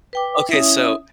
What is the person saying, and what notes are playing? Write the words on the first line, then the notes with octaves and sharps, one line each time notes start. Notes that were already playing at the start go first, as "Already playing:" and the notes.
Okay, so,
B4 G5 D6
C#4 E4 E5 D#6